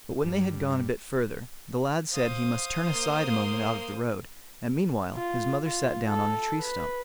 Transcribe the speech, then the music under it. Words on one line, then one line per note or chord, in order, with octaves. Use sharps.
But when they had gone a bit further, the lad said he must turn aside a moment out of the road, and meanwhile his mother sat down on a tree-stump.
G2
C5 F5 D#6
A#3 C6
F4
F4
A4
B4